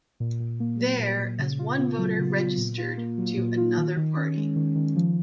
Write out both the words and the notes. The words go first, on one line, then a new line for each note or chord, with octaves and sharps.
There as one voter registered to another party.
A#2
A#2
A#3
F#3
A#2
A#2
C#3
F4
B3
F#3
C#3
F4
A#2
F4
A#3
F#3
A#2
F4
D#3
D#3
C#4
G#3
D#3
D#3
F3